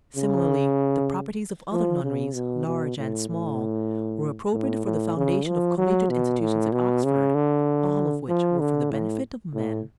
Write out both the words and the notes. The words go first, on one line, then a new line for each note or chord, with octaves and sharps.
Similarly, the properties of other nunneries, large and small, were appropriated for the foundation of collegiate institutions at Oxford, all of which were for the benefit of men.
C#3
F3
C#3
B2
B2
A2
A2
A2
A2
C#3
F3
F#3
B2
A2
B2
C#3
D3
F3
D3
A2
A2